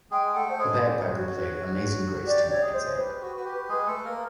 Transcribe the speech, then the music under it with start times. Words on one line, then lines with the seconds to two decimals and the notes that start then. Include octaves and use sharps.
A bagpiper played "Amazing Grace" to mark its end.
0.11 G#3 G#4 G5
0.34 A3 A4 F#5
0.49 C5
0.59 G#3 G#4 C#5
0.83 G4
1.07 F#4
1.30 F#4
2.26 G4 D5
2.49 C#5
2.61 G#3 G#4
2.73 C5
2.97 G4 B4
3.21 F#4
3.37 F#4
3.45 G4
3.69 G#3 G#4
3.87 A3 A4
4.04 A#3 A#4